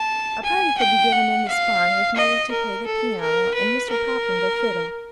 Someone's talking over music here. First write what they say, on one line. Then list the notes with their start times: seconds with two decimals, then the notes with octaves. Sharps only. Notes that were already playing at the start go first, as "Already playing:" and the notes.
A party could be given in this barn with mother to play the piano and Mr. Popham the fiddle.
Already playing: A5
0.44 G#5
0.78 G5
1.13 F#5
1.48 F5
2.16 D#5
2.51 A#4
2.86 A4
3.21 A#4
3.55 B4
3.90 A#4